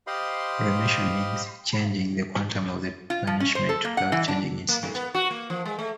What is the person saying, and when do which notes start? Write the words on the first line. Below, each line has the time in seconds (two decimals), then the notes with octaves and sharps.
Remission: means changing the quantum of the punishment without changing its nature.
0.07 G4 C5 D#5 F5 B5 C6
3.10 F4
3.27 F3
3.40 C#4
3.55 C5
3.69 A4
3.85 A#3
3.97 F#5
4.12 E3
4.28 D4
4.69 A#3
4.83 G#2
4.95 B3
5.15 F#4
5.31 A#3
5.50 F3
5.66 G#3
5.79 A3